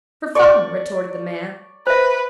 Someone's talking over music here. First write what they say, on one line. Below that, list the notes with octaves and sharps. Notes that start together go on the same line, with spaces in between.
"For fun," retorted the man.
D5 C#6
B4 C5 E5